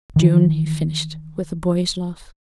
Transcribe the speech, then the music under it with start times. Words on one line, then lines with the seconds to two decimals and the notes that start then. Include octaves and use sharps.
"June," he finished with a boyish laugh.
0.16 D#3 E3